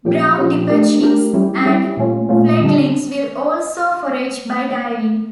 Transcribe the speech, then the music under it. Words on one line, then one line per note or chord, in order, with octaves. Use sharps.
Brown dipper chicks and fledglings will also forage by diving.
A#2 F3 C#4 G4
A#2 F3 C#4 G4
A3 D4 G4 A#4
A3 D4 G4 A#4
G3 C#4 E4 G4
G3 C#4 E4 G4
A#2 A3 C#4 F4
A#2 A3 C#4 F4
D3 G3 D4